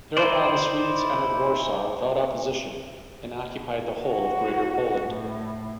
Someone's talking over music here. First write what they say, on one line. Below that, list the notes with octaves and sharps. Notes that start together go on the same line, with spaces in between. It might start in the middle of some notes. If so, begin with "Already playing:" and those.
Thereupon the Swedes entered Warsaw without opposition and occupied the whole of Greater Poland.
D#4 E4 C5 D5
F#4
A2